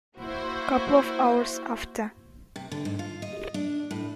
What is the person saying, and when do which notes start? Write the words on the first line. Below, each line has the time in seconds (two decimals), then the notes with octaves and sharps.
Couple of hours after.
0.18 A#3 E4 F#4 C5
2.56 C3
2.72 D3
2.85 G#2
2.99 F4
3.22 D#5
3.54 D4
3.91 A2